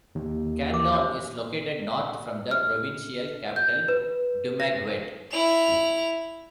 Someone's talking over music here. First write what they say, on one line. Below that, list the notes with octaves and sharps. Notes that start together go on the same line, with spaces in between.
Canlaon is located north from the provincial capital Dumaguete.
D#2
A#4 D6
G4 C5 C#5
F6
G6
B4
A#6
E4 F7